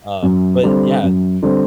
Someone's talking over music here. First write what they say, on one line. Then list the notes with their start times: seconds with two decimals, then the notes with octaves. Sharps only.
um, but yeah
0.23 F#2
0.63 D3 G3 C4
1.03 F#2
1.42 D3 G3 C4